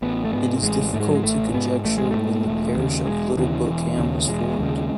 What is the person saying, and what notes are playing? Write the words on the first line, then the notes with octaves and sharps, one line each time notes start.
It is difficult to conjecture when the parish of Little Bookham was formed.
A1 B3
A3
G#2 B3
A1 G#3
G#2 A3
G#3
F#3
G#3
A1 A3
G#2 B3
A1 A3
G#3
G#2 A3
E1
D#2 C#3
E1 G#3
D#2 C#3 E3
E1
D#2 C#3
E1 G#3
D#2 C#3